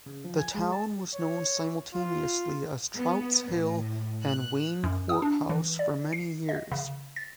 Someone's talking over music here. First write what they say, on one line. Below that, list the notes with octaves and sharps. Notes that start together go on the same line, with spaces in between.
The town was known simultaneously as Trout's Hill and Wayne Courthouse for many years.
C#3
F3
G#5
G#3
A5
C#5
F4
B3
A2
F#6
F#2
D#6
D4
E3
D5
C7
D#5
C#3
A6